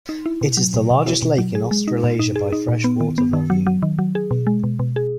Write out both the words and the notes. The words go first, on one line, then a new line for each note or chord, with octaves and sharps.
It is the largest lake in Australasia by fresh water volume.
D#4
E4
B2
F#3
B2
B2
E4
B2
F#3
G#4
G#3
D#4
A#2
D#4
G#4
D#4
A#2
B3
D#3
B3
D#3
F#3
F#3
D#3
F#3
G#4
B2
G#3
B2
B2
G#4